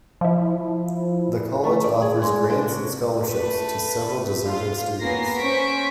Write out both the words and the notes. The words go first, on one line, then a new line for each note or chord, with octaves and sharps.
The college offers grants and scholarships to several deserving students.
F3 E4
A3
D5
G#4
G#3
D4
F#4
A3 B4
F4
A#3 B3 C#4 A#4 A#6 C7
C#4 C5 C#6 B6 D7